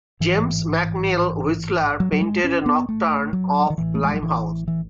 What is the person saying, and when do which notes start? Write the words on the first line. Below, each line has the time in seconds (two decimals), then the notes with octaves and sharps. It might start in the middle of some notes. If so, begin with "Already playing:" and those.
James McNeill Whistler painted a "Nocturne of Limehouse".
0.20 A1 G#2 E3
2.00 F#3
2.12 F#3
2.21 G#3
2.44 C#4
2.66 B3
2.89 A3
3.33 F#3
3.70 D#3
3.78 A1 A2 E3
3.95 A3
4.04 G#3
4.14 F#3
4.23 E3
4.68 E3